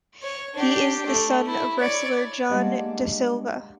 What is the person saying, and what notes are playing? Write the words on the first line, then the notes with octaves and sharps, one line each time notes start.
He is the son of wrestler John da Silva.
C#5
D4 G4
A3
E4
C#5 D5
G3 G#3 A#3 D4 D#5 F#5